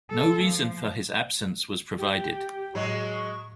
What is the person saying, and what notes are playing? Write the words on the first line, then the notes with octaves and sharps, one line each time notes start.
No reason for his absence was provided.
A4
F3
G4
A2 F#3 G#3 C#6